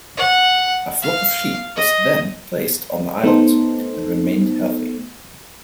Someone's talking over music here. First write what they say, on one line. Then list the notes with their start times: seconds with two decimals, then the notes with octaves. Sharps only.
A flock of sheep was then placed on the island and remained healthy.
0.17 F#5
1.02 F5
1.76 D#5
3.24 A3 B3 D#4 A4 C5